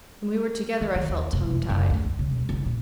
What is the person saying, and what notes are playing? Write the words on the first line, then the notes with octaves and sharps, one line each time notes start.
When we were together I felt tongue-tied.
E3
D#3
D#2
F1
F1
F#1
D2
D#3
C#3
E1
F#1
A#2